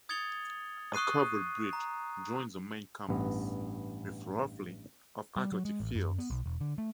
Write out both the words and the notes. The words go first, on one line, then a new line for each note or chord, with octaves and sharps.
A covered bridge joins the main campus with roughly of athletic fields.
D#6 G#6 A6 C#7 F7 G7
C#6 D#6 F#6 C7 D#7
A#5
A1 G2 B3
G3
F#3
G#3
A1
F#2
B3
B1
E1
D3
A3